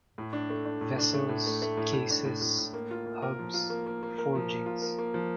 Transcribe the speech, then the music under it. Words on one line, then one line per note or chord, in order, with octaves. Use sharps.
Vessels, cases, hubs, forgings.
A2
D4
A3
D4
A2
D4
A3
A2
A3
A3
A2
A2
D4
A2
A2
A2
A#3
F4
A#3
A#4
F3
F4
A#3
A#3
A#3
A#4
F3
A#3
F4
A#4
A#3
F3